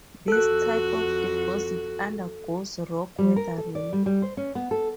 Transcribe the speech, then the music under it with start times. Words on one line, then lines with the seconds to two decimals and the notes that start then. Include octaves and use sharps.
This type of deposit undergoes rock weathering.
0.28 F2 F#4 A4 F#6
3.19 G3
3.36 A#4
3.58 A4
3.75 D5
3.93 G3
4.06 G3
4.22 C5
4.37 C#4
4.55 B3
4.71 A4